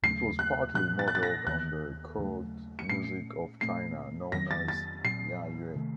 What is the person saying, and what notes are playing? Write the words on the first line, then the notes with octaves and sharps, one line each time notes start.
It was partly modeled on the court music of China, known as "yayue".
D#2 C#3 F#3 A3 C7
F#6
A#2 F3 C4 F#6
A6
F#6
A6
A#6
D#2 D#3 A#3 F#6
D#2 C#3 F#3 A3
C#7
A#2 A3 C#4 C7
A#2 A3 C4 C7
F2 D#3 F#3 C4 A#6
A6
A6
A#2 F#3 C4 C7
C3 D#3 A3